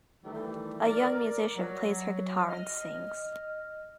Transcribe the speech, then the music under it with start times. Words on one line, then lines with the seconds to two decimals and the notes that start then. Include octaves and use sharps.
A young musician plays her guitar and sings.
0.24 D#3 E3 G3 A3
0.84 A#4 D5
1.56 F#3
2.47 D#5 F6